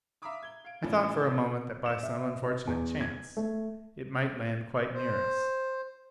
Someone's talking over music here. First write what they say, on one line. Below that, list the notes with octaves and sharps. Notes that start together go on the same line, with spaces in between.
I thought for a moment that by some unfortunate chance it might land quite near us.
E5 F5 A#5 B5 D6 D#6
G#6 G7
F5 D7
F2 A2 E3 C#4 D4
E7
E5
D#5
E2
G#6
A3
C5